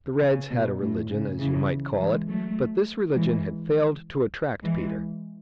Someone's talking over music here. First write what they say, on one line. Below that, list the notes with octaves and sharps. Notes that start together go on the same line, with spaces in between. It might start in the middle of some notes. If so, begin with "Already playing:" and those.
The Reds had a religion, as you might call it; but this religion had failed to attract Peter.
C#3
B2
A2
C#3
C#3 E3
E3 G#3
F#3 A3
E3 G#3
E3 G#3